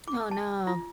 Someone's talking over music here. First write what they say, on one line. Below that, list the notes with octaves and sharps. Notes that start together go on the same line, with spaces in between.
Oh no.
D6
A5
F4